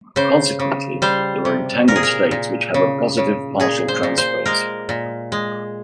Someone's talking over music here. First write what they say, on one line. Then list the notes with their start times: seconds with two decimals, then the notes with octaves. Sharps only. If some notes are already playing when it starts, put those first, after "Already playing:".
Consequently, there are entangled states which have a positive partial transpose.
0.16 C#3 C5
0.60 C#3
1.02 G3 C5
1.45 C3
1.88 A#2 A#4
1.96 G#4
2.03 A#4
2.31 A#2
2.74 C#3
3.17 C#3
3.60 A#2 G#4
3.88 C5
4.03 A#2
4.18 C5
4.45 G#3 A#4
4.89 A#2
5.32 G#3